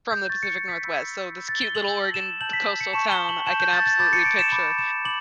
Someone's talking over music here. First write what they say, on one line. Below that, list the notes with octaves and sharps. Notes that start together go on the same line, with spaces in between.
from the Pacific Northwest. So this cute little Oregon coastal town, I can absolutely picture
G6
C#6 G6 A6
C#7
C#7
B6
B5 E6 G6
B5 E6 G6
A6
G7
F#7
A5 E6 G6 F#7
E7
A5 E6 G6 F#7
B6
B6
C#7
A5 C#6 G6 E7
G7
F#7
A5 C#6 G6 E7
G6
A6
A6
B5 D6 G6 A6
C#7
D7
E7
B5 D6 G6 E7
E7
B5 D6 F#7